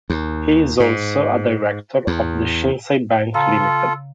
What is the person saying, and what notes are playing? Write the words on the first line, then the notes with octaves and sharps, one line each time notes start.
He is also a director of The Shinsei Bank Limited.
D#2
G#2
E2
C#3 F4 A4 F5 A#5